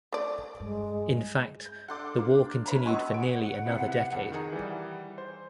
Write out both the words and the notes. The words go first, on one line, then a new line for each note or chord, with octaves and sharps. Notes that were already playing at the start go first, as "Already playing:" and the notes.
In fact, the war continued for nearly another decade.
A3 D5
G2 G#3
G6
D4 A4 F#5 C6 D6
A#3
B4 C#5 A#5
G#3 B3 F#4 G#5 C#6 E6
F#5 D7
C3 B3 E4
F2
D#3 G#4 A#5
E3 G3
C5